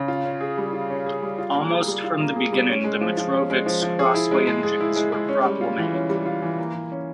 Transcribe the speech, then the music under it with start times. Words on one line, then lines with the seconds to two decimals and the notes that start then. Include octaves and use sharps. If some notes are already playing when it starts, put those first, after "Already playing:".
Almost from the beginning the Metrovick's Crossley engines were problematic.
Already playing: C#3
0.08 F4
0.25 C#4
0.41 G#4
0.58 G3
0.73 F4
0.90 C#4
1.06 G#4
1.22 G3
1.38 F4
1.55 A#3
1.71 G#4
1.87 G3
2.04 F4
2.20 A#3
2.36 G#4
2.53 G3
2.69 C#4
2.84 G#3
3.01 F3
3.17 F3
3.33 C#4
3.50 G#3
3.66 F3
3.82 F3
3.99 G#4
4.14 E4
4.31 G#3
4.47 G#3
4.63 G#4
4.80 E4
4.96 G#3
5.12 G#3
5.29 C#4
5.45 G3
5.61 F4
5.78 E3
5.94 C#4
6.10 G3
6.26 F4
6.42 E3
6.58 A#3
6.74 E3
6.91 C#4